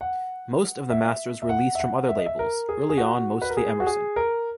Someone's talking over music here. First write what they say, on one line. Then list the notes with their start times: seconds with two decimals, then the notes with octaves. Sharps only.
Most of the masters were leased from other labels, early on mostly Emerson.
0.01 F#5
0.90 E5
1.42 E5
1.49 F#5
1.75 E5
1.80 F#5
2.09 E5
2.18 D#5
2.26 E5
2.39 A#4
2.69 G#4
2.89 G#4
2.98 F#4
3.42 B4
3.50 A#4
3.57 G#4
3.80 F#4
3.87 G#4
4.16 A#4